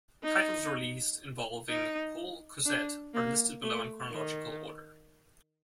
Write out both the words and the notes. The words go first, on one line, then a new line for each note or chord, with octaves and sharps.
Titles released involving Paul Cuisset are listed below in chronological order.
D#4
D#4
D4
A#3
A3
D#3